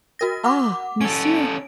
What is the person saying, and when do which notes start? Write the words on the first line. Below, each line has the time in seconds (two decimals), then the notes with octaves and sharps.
"Ah, monsieur!"
0.19 F#4 A#4 A#6
0.44 F#5 D6
1.01 C#4 A4 D7